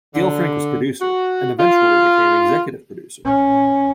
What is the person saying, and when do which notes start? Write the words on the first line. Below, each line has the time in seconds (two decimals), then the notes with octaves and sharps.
Gail Frank was Producer and eventually became Executive Producer.
0.14 D3
1.01 F#4
1.59 F4
3.24 C#4